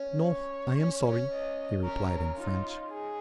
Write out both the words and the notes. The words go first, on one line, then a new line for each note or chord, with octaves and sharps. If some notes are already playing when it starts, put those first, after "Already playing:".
"No, I am sorry," he replied in French.
Already playing: C#4
C#5
C#4
C#4
D#5
C#4 A#4
D#4 F4
G#4